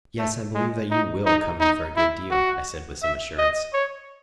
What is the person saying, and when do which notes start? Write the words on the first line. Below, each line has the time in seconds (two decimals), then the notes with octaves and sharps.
"Yes, I believe that you WILL come in for a good deal," I said with some assurance.
0.19 A3
0.55 G#3
0.91 D#4
1.25 D#4
1.60 D#4
1.96 E4
2.31 F#4
3.03 E5
3.38 D#5
3.73 C#5